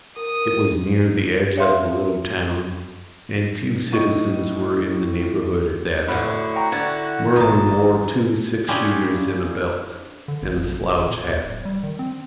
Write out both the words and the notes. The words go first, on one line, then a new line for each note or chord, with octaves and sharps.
It was near the edge of the little town, and few citizens were in the neighbourhood at that hour. Merwin wore two six-shooters in a belt, and a slouch hat.
A#4 D#6
C#5 E5 F5 C6
A2 D#4 C#6 D#7
A2 D3 E4 F#4 B5
G5 A#5 C#6
D3 G#6 A6
G#1 E3 A5 A#5 D#6
C#4 D4 E4 F4 G4 G#4
D3
A1
F1
B1
E1
G#1
A#2
D#2
D1
G3
D#3
C4